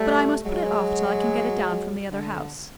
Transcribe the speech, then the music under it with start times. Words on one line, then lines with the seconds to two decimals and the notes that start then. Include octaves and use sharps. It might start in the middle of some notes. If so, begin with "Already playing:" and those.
"But I must put it off till I can get it down from the other house."
Already playing: G3 A3
0.44 F#3 G#3
2.11 D3